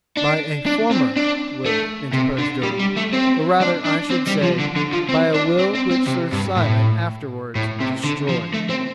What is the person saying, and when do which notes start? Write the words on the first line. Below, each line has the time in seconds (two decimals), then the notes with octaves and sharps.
"By a former will," interposed Durham, "or, rather, I should say, by a will which Sir Simon afterwards destroyed."
0.17 D4
0.66 D4
0.91 C4
1.16 D4
1.65 A3
2.14 C3
2.39 D3
2.63 G3
2.79 G3
2.97 A3
3.13 C4
3.62 D4
3.86 D4
4.11 C4
4.27 G3
4.43 F3
4.60 D3
4.76 D3
4.93 F3
5.09 C4
5.34 D4
5.59 C4
5.75 C4
5.91 C4
6.07 C3
6.33 G2
6.57 A2
7.55 A2
7.80 C3
8.04 D3
8.28 F3
8.54 A3
8.69 C4